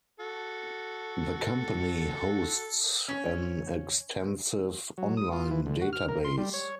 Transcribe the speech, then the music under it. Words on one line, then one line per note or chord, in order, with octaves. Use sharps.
The company hosts an extensive online database.
F#4 A4
C#4
F#3
D#6
F4
E3
D2
F#4
F6
A#4
C6
G3
C#5